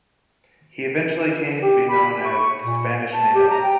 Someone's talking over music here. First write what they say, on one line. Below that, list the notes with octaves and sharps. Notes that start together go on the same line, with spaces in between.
He eventually came to be known as the "Spanish Nadar".
G4
B5
C#6
A#2
A5
G4
A#5
G5